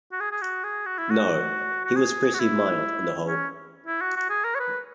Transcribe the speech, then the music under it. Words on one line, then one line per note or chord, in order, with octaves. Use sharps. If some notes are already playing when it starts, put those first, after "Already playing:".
No; he was pretty mild, on the whole.
F#4
G#4
G#4
F#4
G#4
F#4
E4
F#4
F#4
G#4
F#4
E4
C#4
E4
F#4
F#4
G#4
A#4
C#5
B4